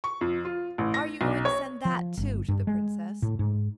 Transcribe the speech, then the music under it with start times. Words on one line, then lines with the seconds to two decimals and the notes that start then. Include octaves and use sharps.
Are you going to send that, too, to the Princess?'
0.04 C#6
0.21 F2
0.45 F4
0.78 A1
0.94 A#6
1.21 B1
1.45 C#5
1.85 F3
2.17 G1
2.48 G2
2.67 G#3
3.22 A2
3.39 G#2